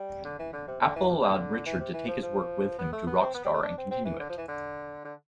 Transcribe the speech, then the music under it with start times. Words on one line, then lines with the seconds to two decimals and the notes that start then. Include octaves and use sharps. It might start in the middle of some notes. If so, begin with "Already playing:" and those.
Apple allowed Richard to take his work with him to Rockstar and continue it.
Already playing: G3
0.25 D3
0.39 E3
0.53 D3
0.68 C3
0.81 D3
0.96 E3
1.09 C3
1.23 D3
1.66 E3
1.80 C3
1.93 E3
2.08 F3
2.22 F3
2.79 B3
2.93 A3
3.07 B3
3.20 C4
3.34 B3
3.45 G3
3.53 A3
3.63 D4
3.78 C4
3.91 C4
4.05 E3
4.20 D3
4.29 F3
4.38 E3
4.48 D3
5.05 D3